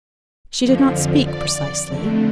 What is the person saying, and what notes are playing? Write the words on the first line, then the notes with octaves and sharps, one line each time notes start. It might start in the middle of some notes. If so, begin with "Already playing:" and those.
She did not speak, precisely.
F2 D3 F3
D5
F2 D3 A3